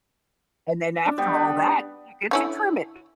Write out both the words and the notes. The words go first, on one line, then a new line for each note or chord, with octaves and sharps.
And then, after all that, you get to trim it.
D4
G3 B3 G5
B4
D3 C#4 E4